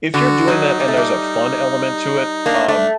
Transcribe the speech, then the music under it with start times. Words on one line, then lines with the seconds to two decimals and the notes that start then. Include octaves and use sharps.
if you're doing that and there's a fun element to it, um,
0.14 D3 F#4
0.48 F#3 D#4
0.80 G3
0.88 A3
0.97 G3
2.46 A#3 D4
2.68 A3 D4